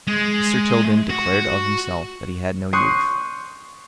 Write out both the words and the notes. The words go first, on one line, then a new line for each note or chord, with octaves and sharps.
Mr. Tilden declared of himself that he had no youth.
G#3
F#4
C6 C#6 D#6 F#6 G6 C7